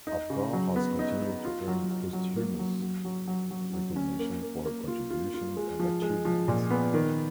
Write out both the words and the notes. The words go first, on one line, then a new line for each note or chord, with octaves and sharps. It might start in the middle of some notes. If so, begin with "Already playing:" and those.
Apgar has continued to earn posthumous recognition for her contributions and achievements.
D#4
C#3
F#3
B3
D#4
D#4
F4
F#3
F#3
F#3
A#3
F#3
F#3
F#3
F#3
F#3
F#3
C#4
A#3
A#3
A#3
F4
F4
F4
G#3
F3
G#3
F3
A#2
B3
D#3